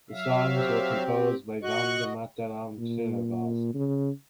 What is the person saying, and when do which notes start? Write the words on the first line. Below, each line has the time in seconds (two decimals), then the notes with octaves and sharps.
The songs were composed by Vandemataram Srinivas.
0.11 F#3 E5 F5
0.55 C4 G4
1.63 F#4 D#5 C#6 F#6
2.79 A#2
3.74 C#3